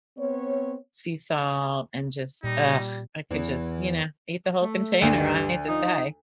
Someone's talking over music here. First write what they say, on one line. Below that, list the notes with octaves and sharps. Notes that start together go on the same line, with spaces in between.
sea salt, and, just ugh, I could just you know? Eat the whole container, I hate to say.
B3 C4 C#5
A#2 G3 D#4
E2 E3
A3
D2 G2
F3 D#4